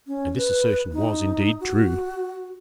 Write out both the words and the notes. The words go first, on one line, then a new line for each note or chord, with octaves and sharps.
And this assertion was indeed true.
C#4
B4
D#4
F#4